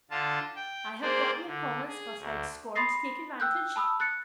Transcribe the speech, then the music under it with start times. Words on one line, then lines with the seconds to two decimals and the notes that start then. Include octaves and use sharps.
I have got your promise, but I'd scorn to take advantage.
0.11 D3 F4 A5
0.56 G5
1.02 A#3 G#4 C5 D5
1.47 D3
1.88 G#4
2.18 D2
2.75 B5 C6 D#6 A6 A#6 C7
3.40 G5 E6 F#6 G6
3.76 A5 B5 D#6 E6
4.00 F#6 A6 C#7